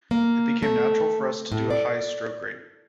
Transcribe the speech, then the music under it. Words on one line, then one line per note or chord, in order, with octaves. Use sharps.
It became natural for us to do a high stroke rate.
A#3
A3
A2
D5